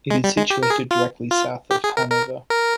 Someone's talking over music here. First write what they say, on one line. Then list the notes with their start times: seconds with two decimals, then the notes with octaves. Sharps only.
It is situated directly south of Hanover.
0.10 G#3
0.24 G3
0.37 G#3
0.50 G4
0.63 A#4
0.70 G#4
0.91 F4
1.31 F4
1.71 G4
1.84 G#4
1.97 A#4
2.10 A#4
2.50 A#4